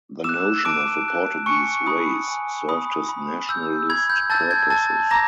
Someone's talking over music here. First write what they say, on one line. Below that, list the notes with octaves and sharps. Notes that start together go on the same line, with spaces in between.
The notion of a Portuguese "race" served his nationalist purposes.
D6 E6 F#6 E7
A5 D6 D7
D6 F#6
G#5 C#6 C#7
B5 D#6
G#5
B5 D#6
B5
E6 G6
B5 G#6
G6
A5 E6 G6 A6
G#6
A5 A6
A#5 D6 A#6